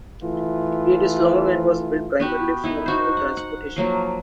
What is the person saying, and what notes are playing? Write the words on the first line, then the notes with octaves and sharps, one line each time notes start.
It is long and was built primarily for coal transportation.
E3 A3 F4
B3 F#4 G4 B4
B3 D#4 E4
D#4 F#4 C5
F#5
F#5
F3 F#3 A#3